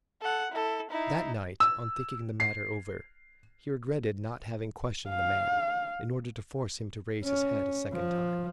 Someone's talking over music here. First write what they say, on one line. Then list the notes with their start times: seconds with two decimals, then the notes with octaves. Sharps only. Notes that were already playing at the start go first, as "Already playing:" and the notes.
That night, on thinking the matter over, he regretted not having questioned the man, in order to force him to raise his head a second time.
0.22 A4 F#5
0.53 E4 A4
0.90 D#4 E4
1.60 E6
2.40 C7
5.09 F5
7.24 C#4
7.93 F3